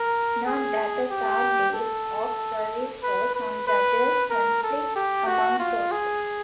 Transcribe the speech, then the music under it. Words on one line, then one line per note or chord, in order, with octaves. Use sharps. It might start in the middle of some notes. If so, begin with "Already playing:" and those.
Note that the start dates of service for some judges conflict among sources.
Already playing: A#4
G#4
G4
A4
B4
B4
B4
A#4
A4
G4
F#4
F4
G#4